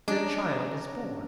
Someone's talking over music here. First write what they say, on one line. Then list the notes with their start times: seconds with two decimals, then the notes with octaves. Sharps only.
Their child is born.
0.08 G#3 C#4 D4 A#5